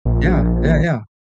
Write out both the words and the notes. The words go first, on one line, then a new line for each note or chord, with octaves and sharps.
Yeah. Yeah, yeah.
A#1